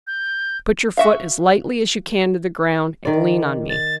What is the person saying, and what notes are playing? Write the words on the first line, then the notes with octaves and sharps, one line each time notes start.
Put your foot as lightly as you can to the ground, and lean on me.
G6
F#4 E5 F5
D#3 D5
A6